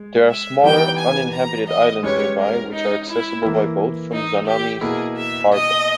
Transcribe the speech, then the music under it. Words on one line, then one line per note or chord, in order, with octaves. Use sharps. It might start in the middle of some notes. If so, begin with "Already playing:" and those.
There are smaller, uninhabited islands nearby which are accessible by boat from Zamami's harbour.
Already playing: G#3
E5
E3 G3 B3 D#4 G5
G#5
A#5
D#5
G#3 C#4 G4 B4 C#5
A#4
D#4
E4
E3 A#3 E4 A#4
D#4
G4
B2 A#3 E4 G#4 A#4
E5
D#5